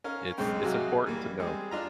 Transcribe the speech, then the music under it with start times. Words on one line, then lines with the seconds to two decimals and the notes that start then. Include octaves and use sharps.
it's, it's important to know.
0.04 C#4 A#4 F5
0.38 B1 G#2 C#3 G#3 C4 G5
0.63 C3 F#3 D#4 F#4 G#4 F5
1.06 E3 G3 A#3
1.39 G3 G#3 C4 G#4
1.71 D4 F4 A#5